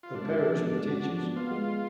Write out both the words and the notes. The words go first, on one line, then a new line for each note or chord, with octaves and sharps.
Her parents were teachers.
F4
G#3 D4
F#4
F3
B3
G#3
F#4
F3
B3
B3 F4
G#3
G#3